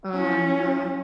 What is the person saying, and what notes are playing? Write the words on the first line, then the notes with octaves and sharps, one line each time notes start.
Oh, no.
C#4 E4